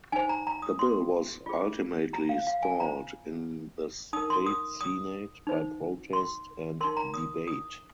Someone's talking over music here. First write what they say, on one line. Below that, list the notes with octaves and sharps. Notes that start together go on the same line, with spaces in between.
The bill was ultimately stalled in the State Senate by protest and debate.
D#4 C5 G#5
A#5
A#5
D#6
C6
F4 G#4 C5
A#5
F5
F5
G#5
F4 C5 A#5
D#4 A#4 D#6
C6
D#6
D#6
D#4 C5
C6
D#4 A#4 C6
A#5
D#6
D#6